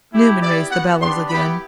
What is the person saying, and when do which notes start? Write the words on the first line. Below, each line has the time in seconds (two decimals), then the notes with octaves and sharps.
Newman raised the bellows again.
0.13 A3 E4 G4
0.41 B3 E4 G4 D5
0.70 B3 F#4 F#5
0.99 B3 D4 G4 C6
1.28 B3 E4 G4 B5